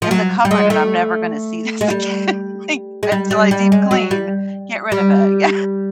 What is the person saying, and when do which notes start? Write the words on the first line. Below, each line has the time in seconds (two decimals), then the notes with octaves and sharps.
in the cupboard, and I'm never gonna see this again, like, until I deep clean, get rid of it, yeah.
0.02 F3
0.11 F#3
0.45 G3
0.51 G#3
0.70 A3
1.81 G#3
1.90 G3
3.03 G#3
3.12 G3
3.31 G3
3.51 G3
3.72 G#3
3.91 F#3
4.11 G3
4.92 G3